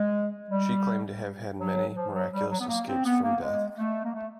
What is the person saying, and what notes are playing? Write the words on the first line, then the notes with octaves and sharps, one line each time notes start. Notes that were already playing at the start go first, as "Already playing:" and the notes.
She claimed to have had many miraculous escapes from death.
Already playing: G#3
G3
F#3
F3
F#3
G3
F#3
B3
A#3
C4
B3
A#3
G#3
A3
A#3
A3